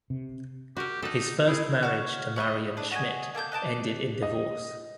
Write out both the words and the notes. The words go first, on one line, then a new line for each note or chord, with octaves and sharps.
His first marriage to Marion Schmidt ended in divorce.
C3
F#4 G4 A#4
D#4 A4 F#5
E4 G#4
F#4 C#5 F5
D#5 E5 B5 C#6
D4 B4
F#4 D#5 G#5
A#3 A4 A#5 G6
B4 D#5 A5 D6
D#5